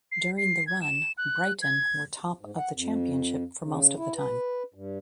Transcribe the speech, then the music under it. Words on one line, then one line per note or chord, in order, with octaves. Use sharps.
During the run, Brighton were top of the Championship for most of the time.
C7
C7
G#6
E7
F#6
G#6
G#2
F#5
F2
C#3
E4
B4
G2